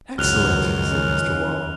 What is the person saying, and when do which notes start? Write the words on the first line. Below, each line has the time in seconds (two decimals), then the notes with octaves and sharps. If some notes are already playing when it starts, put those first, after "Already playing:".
'Excellent,' said Mr Waller.
0.18 C#2 F#2 D#3 F3 F#3 F6 F#6 F7
0.89 C#4